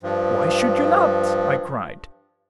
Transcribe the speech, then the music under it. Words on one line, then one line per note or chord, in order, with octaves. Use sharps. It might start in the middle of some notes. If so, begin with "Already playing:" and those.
"Why should you not?" I cried.
G2 F3